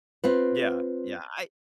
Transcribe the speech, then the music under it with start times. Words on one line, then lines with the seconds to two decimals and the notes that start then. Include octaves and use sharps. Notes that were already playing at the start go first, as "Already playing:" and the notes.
Yeah, yeah, I
0.24 C4 F4 B4